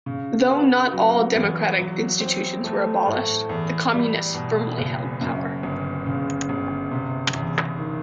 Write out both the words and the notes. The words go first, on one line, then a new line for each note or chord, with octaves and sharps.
Though not all democratic institutions were abolished, the Communists firmly held power.
C#3
B3
F#3
E2
F#3
C4
A3
A2
E2
G3
B2
F#1
F#2
G1
C#3
G1
C3
E2
D#3